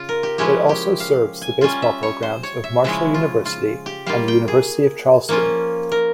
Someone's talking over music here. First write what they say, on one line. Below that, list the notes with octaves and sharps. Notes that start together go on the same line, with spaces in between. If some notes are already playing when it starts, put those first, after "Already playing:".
It also serves the baseball programs of Marshall University, and the University of Charleston.
Already playing: C#3 F4
A#4
G4
F3 G#3 C#4 E4 G4
G4
F5
G#5
G3 C#4 F4 G#5
E5
C#5
C5
C#5
E5
C#3 F3 G#3 C#4 E4 E5
F4
F4
G4
G3 A#3 F4 F5
G5
G#4
F3 A#3 C#4 F4
A#4